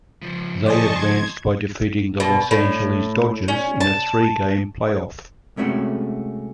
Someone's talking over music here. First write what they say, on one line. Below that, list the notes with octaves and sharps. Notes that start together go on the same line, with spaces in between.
They advanced by defeating the Los Angeles Dodgers in a three-game playoff.
C#2 F3
G#4 C5 D5 D#5 A5 C#6
C6 G#6
B2
A2
C#4
A5
C3 G#3 A3 C#4 F#4